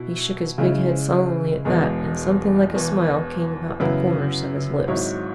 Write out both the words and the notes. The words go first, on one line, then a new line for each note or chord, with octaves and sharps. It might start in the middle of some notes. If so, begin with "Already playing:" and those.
He shook his big head solemnly at that, and something like a smile came about the corners of his lips.
Already playing: B2 E4
C#3 G#3 E4 G#4
E1 E2 E3 G#3
E1 E2 E3
F#2 C#3 F#3 B3 E4
G#1 G#2 F#3 E4 C#5